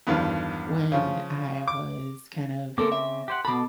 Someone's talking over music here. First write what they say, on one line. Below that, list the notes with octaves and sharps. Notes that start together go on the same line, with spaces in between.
when I was kind of
E2 G2 D#3 F3
C#3 F3
D6
C#3 A#3 C4 A4 A#4 D6
E5
G4 C5 F#5
B2 A4 B5 D6